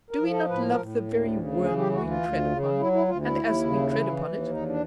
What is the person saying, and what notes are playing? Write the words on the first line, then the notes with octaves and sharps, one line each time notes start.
Do we not love the very worm we tread upon, and as we tread upon it?
A#4
F3
A4
A2 B4
A#4
A2
D2
C#3
E3 G#4
G4
D2 F#4
F4
D2
C#3
F#3 E4
E4
D2 F4
E4
D#2
C#3
E3
D#2
E2 D#4
D4